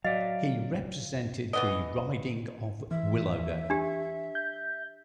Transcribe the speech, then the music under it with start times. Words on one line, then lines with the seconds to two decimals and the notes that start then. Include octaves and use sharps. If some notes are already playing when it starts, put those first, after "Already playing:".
He represented the riding of Willowdale.
0.04 F#3 D5 D#5 F5
1.53 E3 B3 D#5
2.91 E3 E5
3.70 D4 G4
4.35 G6